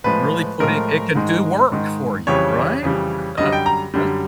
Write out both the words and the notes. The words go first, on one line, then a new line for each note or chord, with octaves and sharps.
really putting it can do work for you, right, and that's that's som
A2 F3 G#3 B4
A2 F3 G#3 A#4
G#2 D#3 G#3
G#2 D#3 G#3
F2 C#3 E3 G3 C#5
F2 C#3 E3 G3
F#2 D3 G3 D#5
G5
A#5
F#2 D3 G3